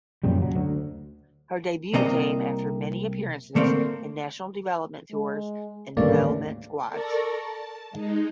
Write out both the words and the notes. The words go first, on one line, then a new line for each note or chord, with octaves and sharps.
Her debut came after many appearances in national development tours and development squads.
F#2 A#2 C#3 G3
F#3
D2
C2 C3 A#3 D#5 A#5
D3 A3 A#3 C4
G#3
G#1 D2 G2 C#3 A3 A#3 D5
A4 A#4 D5 A5 A#5 C#6
A5
G#3 D#4